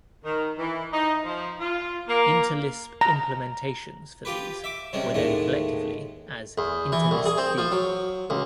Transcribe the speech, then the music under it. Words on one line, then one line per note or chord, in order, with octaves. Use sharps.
Interlisp implementations for these were known collectively as Interlisp-D.
D#3
E3
D#4
F3
F4
A#3
A#5
F4 G4 B4
E5 D6
C3 G3 G#3 C#4
D#2 A2 G#3 A3
E2
E3
C2
G#4
C4
F3
F#3
C#2